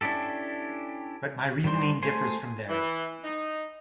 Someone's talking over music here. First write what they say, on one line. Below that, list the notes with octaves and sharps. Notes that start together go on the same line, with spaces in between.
But my reasoning differs from theirs.
C#4 D4 E4 G4 A4
D#3 G3 D4 C5 C6
A3 C5 G#5 C6
E3
D#4